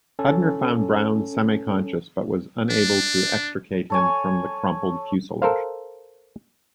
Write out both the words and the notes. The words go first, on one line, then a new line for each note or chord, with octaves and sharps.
Hudner found Brown semi-conscious, but was unable to extricate him from the crumpled fuselage.
C#4 A4
D4
A4 C#5 G#5
A4 A#4 C5 F5